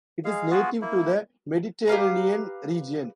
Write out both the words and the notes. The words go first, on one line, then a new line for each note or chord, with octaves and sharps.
It is native to the Mediterranean region.
G#3 G#4 F5
B3 F4 F#4 G#4
A#3 E4
G4 B4 F5 A#5